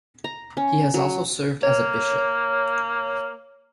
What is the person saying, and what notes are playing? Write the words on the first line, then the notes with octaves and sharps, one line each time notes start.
He has also served as a bishop.
A#5
C#4
F#3
A#3 C#5